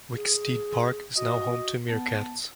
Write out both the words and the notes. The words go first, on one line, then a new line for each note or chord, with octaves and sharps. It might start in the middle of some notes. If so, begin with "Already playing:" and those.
Wicksteed Park is now home to Meerkats.
G#4
F#4 D#5
B3 A5